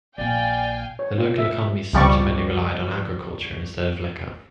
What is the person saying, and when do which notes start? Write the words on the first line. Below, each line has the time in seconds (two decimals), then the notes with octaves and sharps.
The local economy subsequently relied on agriculture instead of liquor.
0.18 A#1 A#3 D5 F5 G5 G#5
0.99 C#5
1.18 F4
1.38 E5
1.93 C#2 F3 G3 D5 C#6